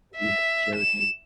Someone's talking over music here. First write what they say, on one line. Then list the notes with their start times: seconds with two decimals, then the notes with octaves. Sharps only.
that we had to share with me,
0.17 E5
0.75 E7